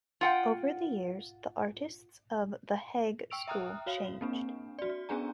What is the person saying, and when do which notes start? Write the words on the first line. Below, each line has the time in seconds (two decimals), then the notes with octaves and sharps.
Over the years, the artists of the Hague School changed.
0.21 F4 F#5 G5
3.30 G5 C#6 E6 D7 F7
3.48 E5 G5 A#5 D#6 F6 F#6
3.86 F#4 C#5 F5
4.21 A#3 C4 D4
4.79 F#4 D5
5.09 B3 C#4 D4 G#4 G#5 A#5